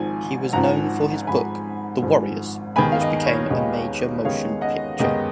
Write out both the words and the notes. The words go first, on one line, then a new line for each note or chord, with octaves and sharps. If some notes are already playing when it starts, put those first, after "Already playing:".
He was known for his book "The Warriors" which became a major motion picture.
Already playing: G#1 G#2 F3 G#5
G#1 G#2 F3 F#5 A#5
G#1 G#2 F3 G#5 B5
G#1 G#2 F3
D#2 D#3 G#3 B3 G#5 B5
F5
D#5
C#5
D#2 D#3 G#3 B3 D#5
D#2 D#3 G#3 B3 C#5 F5
D#5 F#5
D#2 D#3 G#3 B3 D#5